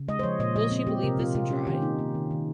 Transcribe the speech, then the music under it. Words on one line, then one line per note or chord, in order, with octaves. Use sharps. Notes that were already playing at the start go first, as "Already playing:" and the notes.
Will she believe this and try?
Already playing: C#3
G#3 D#5
C5
F3 C#5
A#2 D#5
A#2 D#5
C4
C4 G4
C3 A#4
C3 F4
C3 F4
C#4 G4
D#3 G4
A#3 D#4
A#3
D#3
D#3